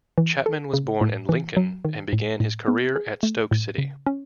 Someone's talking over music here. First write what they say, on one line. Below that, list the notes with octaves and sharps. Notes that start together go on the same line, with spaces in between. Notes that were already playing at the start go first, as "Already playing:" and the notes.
Chapman was born in Lincoln and began his career at Stoke City.
E3
A4
C#3
A2
E3
F#3
D#3
A2
A2
B3
G#4
A3
A2
C#3
C#4